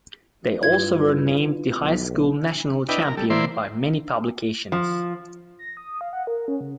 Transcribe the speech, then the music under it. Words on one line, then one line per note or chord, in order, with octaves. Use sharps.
They also were named the High School National Champion by many publications.
G2 E4 F4 B4 G#6
B1
D4 E4 B4 D#5 G5
A#4
G3 A4
E3 A#3 E4 C5 D5 C6
F3
A#6
D#6
F5
F#5
A#4
C#4
C#3